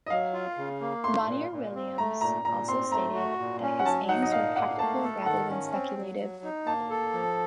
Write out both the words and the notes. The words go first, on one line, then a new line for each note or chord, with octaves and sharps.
Monier Williams also stated that his aims were practical rather than speculative.
D#5
F#3 F5
F4
C#3
A#3
A3 C6
A#2
A#2
C4
A3 A#5
A#2 A#5
A#2 A#5
C4 C6
A3 A#5
F#4
A#2
C#4
F#5
F#3 A5
D#4 F#5
D#5
A#2 F5
A#3 F#5
A3 A5
A4
D#3 F#5
C#4
C4
F#3
F#3
D#4
A#3 A5
A4
F3